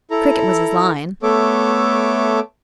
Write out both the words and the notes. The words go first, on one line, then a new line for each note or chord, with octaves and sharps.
Cricket was his line.
E4 A4 A#5
A3 B3 A4 C#5 E5 D6